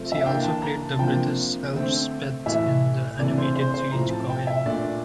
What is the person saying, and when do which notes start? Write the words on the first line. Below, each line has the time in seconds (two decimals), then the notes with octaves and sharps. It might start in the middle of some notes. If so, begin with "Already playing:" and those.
She also played the British Elspeth in the animated series Gawyan.
Already playing: C3 F3 A3
0.12 E5
0.19 F5
0.26 E3 A#3 D4 G5
0.44 A5
0.63 A#5
0.81 A5
0.93 A5
0.99 C3 F3 A#3 D4 G5
1.73 D3 A3 C4
2.46 A2 E3 A3 E5
3.19 C3 E3 A3 D4 D5
3.38 C5
3.56 C5
3.74 C5
3.92 A2 F3 A3 C4 A#5
4.11 A5
4.30 G5
4.47 E5
4.66 A#2 A3 D4 D5